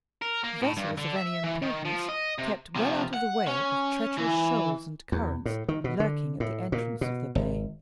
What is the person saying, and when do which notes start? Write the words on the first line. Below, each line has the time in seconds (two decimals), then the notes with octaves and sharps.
Vessels of any importance kept well out of the way of treacherous shoals and currents lurking at the entrance of the bay.
0.22 A#4
0.44 A#3
0.62 A2
0.77 G2
0.98 D3
1.16 E5
1.44 E3
1.62 D#3
1.85 F3
2.09 D#5
2.38 C3
2.76 C3 F3
3.14 F#5
3.48 C#4
4.18 E3
5.12 E2
5.46 A2
5.68 D#3
5.84 B2
6.00 D3
6.40 A2
6.72 A#2
7.01 B2
7.35 G#1